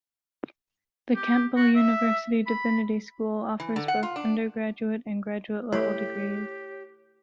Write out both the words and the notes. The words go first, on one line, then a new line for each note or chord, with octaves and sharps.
The Campbell University Divinity school offers both undergraduate and graduate level degrees.
G4
F#4
E5
B5
E3
D3
F#5
F4
D4
A3 E4 G4 C#5